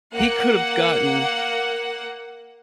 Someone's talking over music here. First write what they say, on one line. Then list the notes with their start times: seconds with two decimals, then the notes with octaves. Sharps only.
he could have gotten
0.14 A#3 F#5